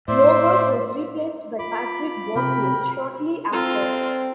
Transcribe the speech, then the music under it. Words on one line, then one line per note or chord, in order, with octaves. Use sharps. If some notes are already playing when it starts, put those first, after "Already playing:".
Loberg was replaced by Patrick Bourque shortly after.
A2 C5 D5 E5 C6
F4 B5 D6
C3 A#4 G5 B5
C4 F4 A4 A#5 E6